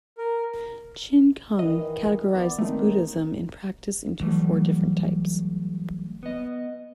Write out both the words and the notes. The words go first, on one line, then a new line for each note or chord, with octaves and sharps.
Chin Kung categorizes Buddhism in practice into four different types.
A#4
D#3 E3 D#5
E3 B3 D5
D#2 D#3 A3 C4 D#4
E3 F#3 G3 A3
B3 D#5